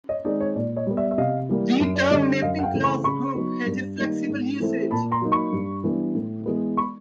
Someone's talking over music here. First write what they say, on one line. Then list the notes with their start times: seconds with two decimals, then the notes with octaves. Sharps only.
The term mapping class group has a flexible usage.
0.09 C#5 D#5
0.25 D#3 G#3 C4 D#4 D5
0.40 C#5
0.56 A#2 D5
0.76 C#5 D#5
0.87 G3 B3
0.97 D5 E5
1.11 E5
1.18 C3 D#5 F5
1.49 E3 G3 A#3
1.80 F#2
1.95 D5
2.11 D3 G3 C#5 D#5
2.42 F#2 D#5 F5
2.59 F#5
2.63 F5 G5
2.74 C#3 E3 A3 C4
2.84 B5 C#6
3.04 C#3 B5 C#6
3.35 F#3 B3 D#4
3.66 G2
3.98 D#3 G3 A#3 D#4
4.28 G#2
4.60 E3 A3 C4 E4
4.91 A#2 A5 B5
5.11 A#5 C6
5.22 F#3 A#3 D#4
5.32 B5 C#6
5.53 G2
5.84 E3 G3 B3 D4
6.15 A2
6.46 E3 G#3 B3
6.77 B5 C#6